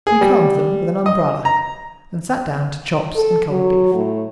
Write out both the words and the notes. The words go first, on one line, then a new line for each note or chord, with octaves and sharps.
We calmed them with an umbrella, and sat down to chops and cold beef.
G#4
G3
D#5
A#5
A4
F#3
A2